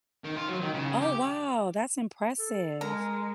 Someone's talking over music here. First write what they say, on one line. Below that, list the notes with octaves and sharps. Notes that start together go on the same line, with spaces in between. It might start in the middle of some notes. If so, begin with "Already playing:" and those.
Oh, wow, that's impressive.
D#3
F4
F#3
D#3
C#3
G4
A4
G#3 A#4 A#5